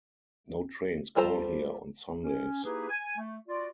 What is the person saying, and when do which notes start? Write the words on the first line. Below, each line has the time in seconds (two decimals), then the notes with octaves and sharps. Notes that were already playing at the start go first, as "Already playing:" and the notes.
No trains call here on Sundays.
1.16 G3 F4 A4 C5 A#5
2.23 C#4
2.64 A#3 D#4 E4 G4 G#4 B4
2.90 G#5
3.18 A3
3.49 F4 F#4 D5